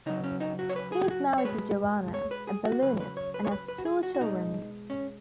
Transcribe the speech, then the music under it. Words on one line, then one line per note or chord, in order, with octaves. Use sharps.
He is married to Joanna, a balloonist, and has two children.
C#3 F#3 D#4
C#4
D#4
F#4
C#5
B4
G#4
G#4
F#4
C#5
B2 G#3 B4
C#5
B4
G#4
F#4
C#3 F#3 B4
B4
C#5
B4
C#5
B4
B4
F#4
G#4
F#4
F#4
B2 G#3 D#4
C#4